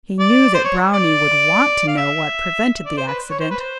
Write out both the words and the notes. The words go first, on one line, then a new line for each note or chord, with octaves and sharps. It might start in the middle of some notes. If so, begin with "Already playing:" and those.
He knew that Brownie would want to know what prevented the accident.
D5
C5
C#5
D5
F5
E5
D5
C5
B4
C#5
C5
B4
C5